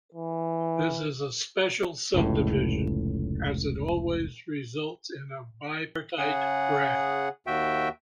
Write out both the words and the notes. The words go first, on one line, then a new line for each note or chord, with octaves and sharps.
This is a special subdivision, as it always results in a bipartite graph.
E3
F1 C#2 A2
C#3 G#4 F#5
D#2 F#4 E5 G5